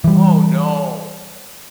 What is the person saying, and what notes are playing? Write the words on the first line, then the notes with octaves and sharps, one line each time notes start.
Oh no!
E3 G3